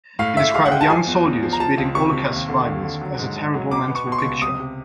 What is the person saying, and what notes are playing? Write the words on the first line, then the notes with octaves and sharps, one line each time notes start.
He described young soldiers beating Holocaust survivors as a "terrible mental picture".
A2 F5
A2 E5
G#3 F5
F#5
G#3 G5
A5
F3 G#5
E2
E2
F3
A#5
F3 A5
C#2
C3 C#6
C3
D#2
D3
D#2
D3
F#3
G#2
G#2
F#3
B2 D6
B3
C#6
B2
C6
C#6
C#2
C3 D#6
C3